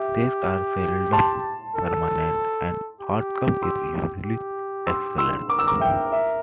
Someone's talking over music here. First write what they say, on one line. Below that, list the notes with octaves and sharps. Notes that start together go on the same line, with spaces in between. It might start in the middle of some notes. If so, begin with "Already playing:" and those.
These are seldom permanent, and outcome is usually excellent.
Already playing: G4 E5
A5 C6
A4
G4
C6 E6
G4
C6 E6
C6 E6
A#4 D6
E6
A#5 D6
E5 G5
E5